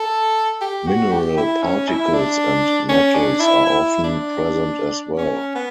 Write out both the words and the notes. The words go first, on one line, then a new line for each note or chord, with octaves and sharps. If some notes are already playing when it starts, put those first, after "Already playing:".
Mineral particles and metals are often present as well.
Already playing: A4
G4
F#4
G4
E4
C#4
E4
D4
C#4
D4
E4
E4
D4
C#4
B3